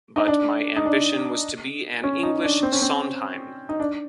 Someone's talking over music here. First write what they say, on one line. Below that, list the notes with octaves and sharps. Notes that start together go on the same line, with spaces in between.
But my ambition was to be an English Sondheim.
D#4
D4
D#4
D4
C#4
D#4
D4
C4
C#4
C4
D#4
D4